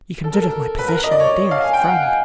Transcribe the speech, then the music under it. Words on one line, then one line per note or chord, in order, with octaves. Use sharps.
You can judge of my position, dearest friend.
A4
A#4
A4
B4
A#4
D#5
D5
C#5
F5
G#5
G5
F#5
G#5